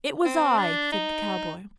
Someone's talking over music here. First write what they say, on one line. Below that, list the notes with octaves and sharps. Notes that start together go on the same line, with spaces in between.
"It was I," said the cowboy.
C4
D4
D#4